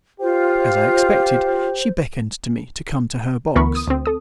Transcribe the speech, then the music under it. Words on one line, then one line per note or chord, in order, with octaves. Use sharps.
As I expected, she beckoned to me to come to her box.
F4 G4 C5
D2 E3 B3 A#4 B5 C#6
D#6
D2 C4
A4 D#6